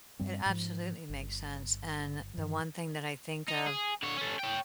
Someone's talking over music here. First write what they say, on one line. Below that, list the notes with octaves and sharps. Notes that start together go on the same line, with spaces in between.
It absolutely makes sense, and the one thing that I think of
G2 G3 C4
G#2 F3
G1
G2 E3
D#4
G#4
D3 C#5
C#4 A4
C#5 G5